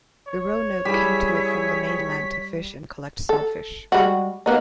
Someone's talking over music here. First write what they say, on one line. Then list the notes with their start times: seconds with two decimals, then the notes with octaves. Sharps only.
The Roanoke came to it from the mainland to fish and collect shellfish.
0.28 C#5
0.85 G3 E4 G#4 B6
3.29 A4
3.92 G3 G#3 F#4
4.46 A#3 B3 D#4